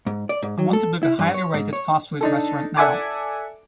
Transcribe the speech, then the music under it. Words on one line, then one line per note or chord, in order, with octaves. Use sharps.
I want to book a highly rated fast food restaurant now.
G#2
D5
G#2
F#3
A4
E4
G2
C#5
G#2
C#5
D4 D#4 A4
A4 D5 E5 F#5 G#5 D6